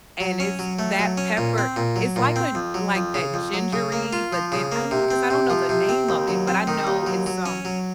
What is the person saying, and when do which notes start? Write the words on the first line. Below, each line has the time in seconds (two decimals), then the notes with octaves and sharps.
and it's that pepper, it's like a d like that gingery, but then I don't 'Cause I don't know the name of it, but I know it's, um
0.20 F#3
0.40 C#4
0.59 F#3
0.79 A3
0.99 F#3
1.17 C#4
1.37 A#2
1.58 C4
1.76 A#2
1.96 F#3
2.16 A#2
2.36 C4
2.55 F2
2.74 F#3
2.95 F2
3.14 C#3
3.34 F2
3.54 F#3
3.73 C#3
3.92 A#3
4.13 F4
4.33 F3
4.52 C#3
4.72 A#3
4.91 C3
5.10 C4
5.30 C3
5.50 F3
5.69 C3
5.89 C4
6.09 D#2
6.28 F#3
6.48 C4
6.67 D#3
6.87 D#2
7.07 F#3
7.26 F#3
7.46 C#4
7.65 F#3